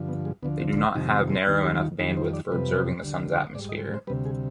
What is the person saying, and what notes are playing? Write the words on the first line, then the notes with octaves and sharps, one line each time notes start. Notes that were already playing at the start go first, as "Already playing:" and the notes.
They do not have narrow enough bandwidth for observing the sun's atmosphere.
Already playing: G2 D3 F3
B3
G#3
D2 D3 F3 B3
C4
D4
F2 C3 D#3 G3 D#4
C4
G#3
D#2 D#3 G3 B3
G4
F4
F2 D#3 G3 D#4
C5
D5
F2 C3 G3 B4
D2 D3 G3
G#2 G3 D5
D#5
C5
D2 C3 G3 B4
G#4